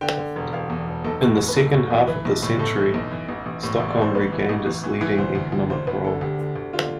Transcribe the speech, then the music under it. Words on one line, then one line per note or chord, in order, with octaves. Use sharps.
In the second half of the century, Stockholm regained its leading economic role.
D3 G5
D3
E1
E1 F5
E2
E1
B1 A4
A2
E3
B4
B1 A4
A2
E3
E3 B4
B1
A2
A2 A4
E3
B1
E3
A1
A1
A2
A1 E5
D5
A2 C5
A1 B4
E3
A1
A1
E3
E3
D2 C5
D2
D2
D2 C5
D2 B4
D3 A4
D2 G4
D3
D2
D3 F4